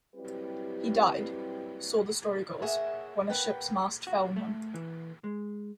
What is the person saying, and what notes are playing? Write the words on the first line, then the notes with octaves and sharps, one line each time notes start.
He died, so the story goes, when a ship's mast fell on him.
F#3 G3 C4 E4 G4 B4
G#4 A#4 C#5 E5 F#5
A#4 B4 F#5 G5
F#4
A3
E3
G#3